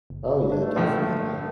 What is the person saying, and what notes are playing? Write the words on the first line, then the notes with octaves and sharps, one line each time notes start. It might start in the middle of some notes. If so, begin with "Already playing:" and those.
Oh, yeah. Definitely.
F#1
A3 D4
A#1 A2 D3 F3